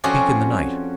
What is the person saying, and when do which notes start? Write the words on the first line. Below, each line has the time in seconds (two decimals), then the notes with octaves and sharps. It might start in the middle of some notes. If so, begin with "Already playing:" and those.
Speak in the night.
0.04 F2 C4 C#4 F#4 G#4 D5